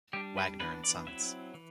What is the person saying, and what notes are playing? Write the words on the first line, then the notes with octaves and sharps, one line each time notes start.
Wagner and Sons.
G3 D4 G4
B4
E3 B3 D4 B4
D5
F#3 C4 E4 E5
E3